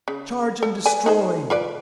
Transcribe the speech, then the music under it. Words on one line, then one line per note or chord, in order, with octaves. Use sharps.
Charge and destroy!
C#3
A4
B4 D5 G#5
D#4 G#4 C5
F4 B4 D5